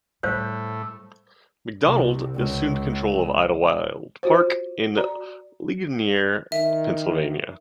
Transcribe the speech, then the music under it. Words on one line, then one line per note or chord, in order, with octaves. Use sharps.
Macdonald assumed control of Idlewild Park in Ligonier, Pennsylvania.
A2 G3 C5 C#5 F5
C2
C#2
F4 F#4 C5
F#4 D5 A#5
D#3 E5